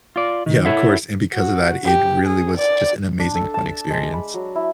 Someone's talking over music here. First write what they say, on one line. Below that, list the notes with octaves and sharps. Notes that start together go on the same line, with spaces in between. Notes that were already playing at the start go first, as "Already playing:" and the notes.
Yeah, of course, and because of that, it really was just an amazing, fun experience.
F4 D5
D#3
E4 A4 C#5 E5 F#5
F#4
G4
G#4
D5
D4
A4
A5
G#3
B5
F#3
E4